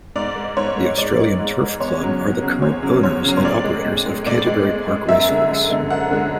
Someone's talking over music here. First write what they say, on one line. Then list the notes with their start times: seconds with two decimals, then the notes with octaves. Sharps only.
The Australian Turf Club are the current owners and operators of Canterbury Park Racecourse.
0.16 G#2 D5
0.36 G#3
0.57 G#2 C#5
0.77 G#3
0.97 G#2 D5
1.19 G#3
1.39 G#2
1.60 G#3
1.80 E2 C#5
2.00 C#3 F#3
2.21 E2
2.42 C#3 F#3
2.62 E2 C#5
2.83 C#3 F#3
3.03 E2 C#5
3.24 C#3 F#3
3.37 C#5
3.44 A2 D5
3.64 G#3
3.85 A2
4.06 G#3
4.26 A2 D5
4.47 G#3
4.68 A2
4.88 G#3
5.09 F#2 E5
5.29 D3 G#3
5.49 F#2
5.70 D3 G#3
5.90 F#2 F#5
6.11 D3 G#3